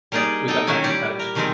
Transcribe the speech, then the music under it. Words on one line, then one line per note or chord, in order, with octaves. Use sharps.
we got back in touch,
G3 A#3 D#4 G#4 D5
D#4 A4 D#5 G5
A#2 D#3 F#3 C#4 E4 G#5
G3 G4 D5
A#4
C3 D#3 F3 G3 G#3 C4